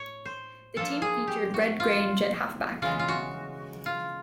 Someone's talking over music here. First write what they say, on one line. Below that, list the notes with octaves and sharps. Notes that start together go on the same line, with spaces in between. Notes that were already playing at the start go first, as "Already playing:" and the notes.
The team featured Red Grange at halfback.
Already playing: A2 C#5
C5
F3 A#3 D4 F4 A4
G#4
G4
F#4
F4
C#3 E3 G#3 F4
F4
F#4
F4